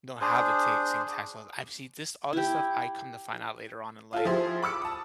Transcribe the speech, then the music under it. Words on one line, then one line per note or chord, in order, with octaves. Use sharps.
don't have the ta same tax laws. I've seen this all this stuff, I come to find out later on in life,
D4 G#4 C5
E4 G4
F4 A4
F3 E4 G4 G#4 C5
B5 D6 E6 C#7
A5 D#6